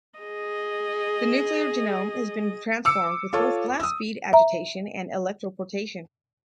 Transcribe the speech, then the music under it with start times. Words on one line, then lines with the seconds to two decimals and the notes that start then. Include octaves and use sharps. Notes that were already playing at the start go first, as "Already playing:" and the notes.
The nuclear genome has been transformed with both glass bead agitation and electroporation.
0.19 G#4 D#5
2.85 D6 E6 C#7
3.33 F4 A4 C#5
3.80 D#6 E6
4.33 E5 A#5